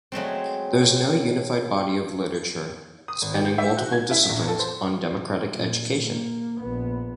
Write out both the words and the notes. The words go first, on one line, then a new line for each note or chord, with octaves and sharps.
There is no unified body of literature, spanning multiple disciplines, on democratic education.
F#3 G#3 A3 C4
D#6
G#1
G4
G6
E5
F#4
G#6
E4
A#1
A4
C5
A#2
A#3
A#1 B3